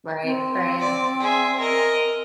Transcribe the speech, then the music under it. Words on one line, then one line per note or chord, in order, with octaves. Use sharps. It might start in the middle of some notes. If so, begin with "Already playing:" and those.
Right, right.
C4
D5
G#4 E5
A#4 D#5